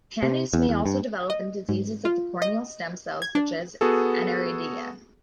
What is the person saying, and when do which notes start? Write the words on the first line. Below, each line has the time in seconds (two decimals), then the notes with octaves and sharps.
Pannus may also develop in diseases of the corneal stem cells, such as aniridia.
0.23 C3
0.53 E2
0.69 E2
0.86 G2
1.30 D#5
1.69 G#2
2.05 F4
2.42 D#5
3.22 G#6
3.35 D4
3.81 B3 F#4 G#4 A4